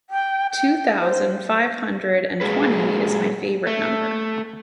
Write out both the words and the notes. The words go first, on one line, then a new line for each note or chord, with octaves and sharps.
Two thousand five hundred and twenty is my favorite number.
G5
G5
C5
A#2 F#3 G#3 G#4 B4
A3